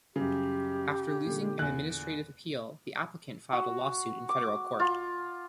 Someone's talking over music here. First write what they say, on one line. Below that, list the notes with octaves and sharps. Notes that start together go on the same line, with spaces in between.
After losing an administrative appeal, the applicant filed a lawsuit in federal court.
F#2 C#3 G3 G4
A#2 D3
E2 F#6
F#4
D6
F4